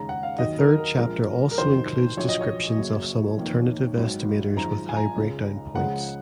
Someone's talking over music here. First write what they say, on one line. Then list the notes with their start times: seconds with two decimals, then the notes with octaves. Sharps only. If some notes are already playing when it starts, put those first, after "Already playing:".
The third chapter also includes descriptions of some alternative estimators with high breakdown points.
Already playing: D#2 C#3 G#3 A#5
0.09 F#5
0.23 F5
0.38 D#2 D#3 F#3 D#5
0.59 A#4
0.78 A#4
0.98 A#1 A#2 G#3 A#4
1.51 A#4
1.58 F1 F2 D#3 F#3 C5
2.17 A#1 A#2 F#3 C#5
2.29 D#5
2.41 C#5
2.77 F#2 C#3 F#3 A#3
3.37 F1 F2 D#3 A#3
3.97 G#1 G#2 D#3 F#3
4.56 G#1 F#2 F3 G#3 A#5
4.89 G#5
4.96 A#5
5.16 C#2 C#3 G#3
5.75 C#2 C#3 F3 G#3 F#5